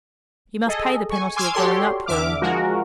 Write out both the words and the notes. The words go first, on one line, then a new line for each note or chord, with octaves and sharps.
You must pay the penalty of growing-up, Paul.
G#4 A4 D#5
G#5 C#6
G#5 C6 D6 E6 F6 G#6
F#4 G4 A4 C#5 D5 C6
E2 D3 E5 D6 F6
F3 G#3 F#4 A#4